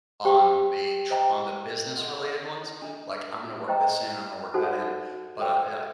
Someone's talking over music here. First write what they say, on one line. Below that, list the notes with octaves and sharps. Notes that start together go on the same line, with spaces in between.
on the tr on the business related ones, like, "I'm gonna work this in, I'm gonna work that in," but I eh,
G4 C5 G5
C5 D#5 G5 A#5
A4 D#5 F#5 C6
D4 A4 D#5
C5 D#5 G5 A#5
D#4 F#4 A4 C5 F#5
A4 C5 G5 C6